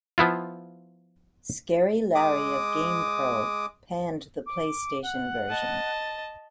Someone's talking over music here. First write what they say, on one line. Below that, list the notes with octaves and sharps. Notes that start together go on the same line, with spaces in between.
Scary Larry of "GamePro" panned the PlayStation version.
F3 B3 E4 F4
G#3 D6 D#6
D6
F#5
D#5 A5